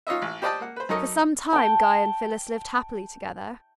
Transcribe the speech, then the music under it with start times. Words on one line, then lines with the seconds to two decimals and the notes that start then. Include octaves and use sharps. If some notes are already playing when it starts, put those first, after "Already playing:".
For some time Guy and Phyllis lived happily together.
0.07 D#4 F4 C#5 D#5 E5
0.22 A1
0.42 G4 C5 D5 D#5 G5 A5
0.60 A#3 F#5
0.76 B4 C5
0.89 F#2 D#4 A4 A#4 C#5 D#5
1.53 G5 A5